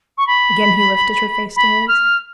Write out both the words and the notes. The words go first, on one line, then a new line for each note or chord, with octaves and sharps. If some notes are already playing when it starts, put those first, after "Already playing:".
Again he lifted her face to his.
C#6
B5
B5
F6